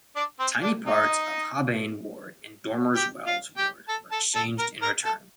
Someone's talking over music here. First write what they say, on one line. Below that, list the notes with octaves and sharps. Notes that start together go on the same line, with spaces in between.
Tiny parts of Hobbayne ward and Dormers Wells ward were exchanged in return.
D4 D5
C4 C5
D4 D5
D#4 D#5
G4 G5
F4 F5
G4 G5
A4 A5
A4 A5
A4 A5
A#4 A#5
A#4 A#5
A4 A5